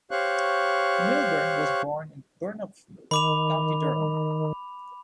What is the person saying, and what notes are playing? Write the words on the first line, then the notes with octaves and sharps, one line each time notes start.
Milburn was born in Burnopfield, County Durham.
G4 C5 C#5 F5 C#6 F#6
D#3 B5 D6 F7